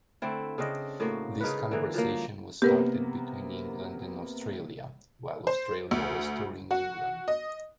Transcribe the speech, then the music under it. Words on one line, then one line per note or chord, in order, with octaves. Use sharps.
This conversation was started between England and Australia, while Australia was touring England.
D3 A3 C4 E4
C#3 C4 D4 D#5
A2 A#3 F#4
C#3 D#4 A#4 B4
D3 E3 A#3
F3 F#3 A#3
C3 A#3 B3 G4 A#4 B4
C5
D2
F#4
D#5